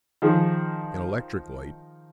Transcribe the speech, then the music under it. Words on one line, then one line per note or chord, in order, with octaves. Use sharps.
"An electric light?"
D#3 F3 G#4